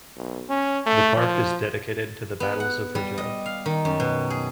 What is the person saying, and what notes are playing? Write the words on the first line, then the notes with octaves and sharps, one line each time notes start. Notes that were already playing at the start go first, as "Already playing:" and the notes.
The park is dedicated to the Battles of Rzhev.
B1
C#4
A3
F3
B3
F#5
G3
D#5
F5
D#3
F#2
B2
G#4